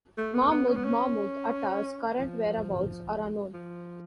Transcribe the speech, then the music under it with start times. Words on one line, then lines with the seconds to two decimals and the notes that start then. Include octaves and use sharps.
Mahmoud Mahmoud Atta's current whereabouts are unknown.
0.18 A3
0.34 B3
0.46 A3
0.51 B3
0.69 C#4
0.76 B3
0.84 C#4
2.18 F3
3.53 F3